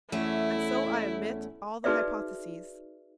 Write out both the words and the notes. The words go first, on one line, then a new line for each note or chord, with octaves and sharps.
And so I omit all the hypotheses.
E2 A3 C#4 E4
D#4 F#4 G#4 B4 D5 E5